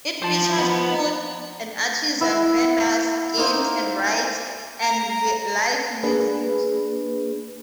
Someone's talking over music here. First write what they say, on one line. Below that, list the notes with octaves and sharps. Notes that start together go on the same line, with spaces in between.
It features food and artisan vendors, games and rides, and live music.
F3 C5 A5
B3
E4 E5 F#5
A#3 D#4 C5
A#5
A#3 D4 G#4 B4